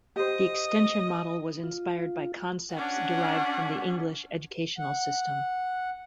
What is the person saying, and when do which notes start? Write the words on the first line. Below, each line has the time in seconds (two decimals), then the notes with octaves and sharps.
The extension model was inspired by concepts derived from the English educational system.
0.16 G4 C5 D#5
1.64 F4
2.76 C#4 D4 F#5
4.78 F#5